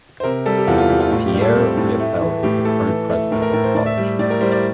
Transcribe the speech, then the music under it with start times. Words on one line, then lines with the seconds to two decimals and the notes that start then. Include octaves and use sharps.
Pierre Riopel is the current president of the college.
0.20 C5
0.23 C3 A#4
0.46 G3 A4
0.57 G4
0.67 E2 F4
0.78 F4
0.90 E2 G4
1.00 F4
1.11 A2 F4
1.26 G4
1.34 G3
1.41 A4
1.55 C4
1.77 A2
2.00 A3
2.22 E3
2.43 A2 G4
2.65 A3 A4
2.87 E3
3.10 A3
3.32 A2 A#4
3.42 A#4
3.53 A2 A#4
3.64 C5
3.75 A2 D5
3.86 E5
3.97 G3
4.19 A2 D5
4.30 A#4
4.41 G3 C5
4.52 D5